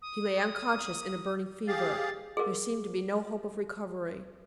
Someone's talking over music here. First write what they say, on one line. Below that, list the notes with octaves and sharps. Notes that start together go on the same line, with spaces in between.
He lay unconscious in a burning fever; there seemed to be no hope of recovery.
D#6
G4 G#4 F5 A6
G#4 A#4